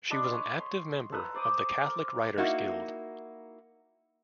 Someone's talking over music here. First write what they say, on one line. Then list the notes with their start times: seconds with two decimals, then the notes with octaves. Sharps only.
She was an active member of the "Catholic Writers Guild".
0.10 D4 D#5 B5 C6
0.32 C#5
0.58 C6
1.12 A4 B4 A#5
1.34 C5 D5 D6 D#6
1.85 A#4
2.38 A#3 D#4 E4 F#4